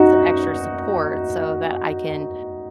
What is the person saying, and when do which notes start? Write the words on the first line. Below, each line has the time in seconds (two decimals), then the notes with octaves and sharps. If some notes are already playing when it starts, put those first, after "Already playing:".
some extra support so that I can,"
Already playing: D#4 F#4